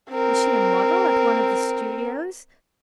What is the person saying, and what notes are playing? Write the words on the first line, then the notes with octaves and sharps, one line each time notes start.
Was she a model at one of the studios?
C4 A#4